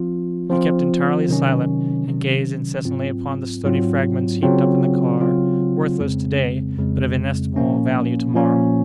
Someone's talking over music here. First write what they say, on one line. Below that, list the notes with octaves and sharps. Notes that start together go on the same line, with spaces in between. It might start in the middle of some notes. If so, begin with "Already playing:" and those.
He kept entirely silent, and gazed incessantly upon the stony fragments heaped up in the car--worthless to-day, but of inestimable value to-morrow.
Already playing: F3 C4 F4
F3 C4 F4
C3 D#3 F#3 C#4
C3 D#3 F#3 C#4
G#2 F#3 C4 F4
G#2 F#3 C4 F4
C#3 F#3 C4 F4
C#3 F#3 C4 F4
F2 C#3 G#3 C4
F2 C#3 G#3 C4
A#2 F3 A#3 C#4
A#2 F3 A#3 C#4